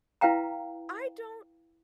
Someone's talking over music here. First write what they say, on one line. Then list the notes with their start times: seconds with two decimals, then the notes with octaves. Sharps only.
I don't
0.21 E4 B4 F5 G5 A#5